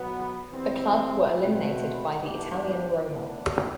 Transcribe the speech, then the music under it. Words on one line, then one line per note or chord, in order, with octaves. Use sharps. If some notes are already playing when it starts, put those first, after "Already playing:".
The club were eliminated by the Italian Roma.
Already playing: B2 F#3 B3
E3 G3 C4
B2 A3 C4 F#4 B4
G2 E3 B3 D4 G4
A2 E3 B3 D4